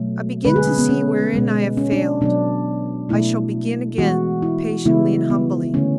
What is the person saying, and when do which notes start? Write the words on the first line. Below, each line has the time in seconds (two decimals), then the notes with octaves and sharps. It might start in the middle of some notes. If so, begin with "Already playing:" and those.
I begin to see wherein I have failed. I shall begin again patiently and humbly.
Already playing: B2 F#3 A3
0.45 D3 G#3 B3 B4
0.56 G#4
0.67 C#4
0.78 B3
0.89 C#4
1.33 B2 G#3 B3
1.77 C#4
1.92 D4
2.21 B2 F#3 B3 D4
3.09 B2 A3 E4
3.98 E3 G#3 B3 F#4
4.42 E4
4.85 C#3 E3 G#3 B3 E4
5.30 B3
5.74 D3 A3 C#4